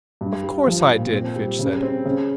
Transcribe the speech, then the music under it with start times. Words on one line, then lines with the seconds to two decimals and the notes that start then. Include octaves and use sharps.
"Of course, I did," Fitch said.
0.21 G2
0.43 G3
0.66 F3
0.90 A#2
1.13 C4
1.36 G3
1.59 C#3
1.83 C4
2.05 C#3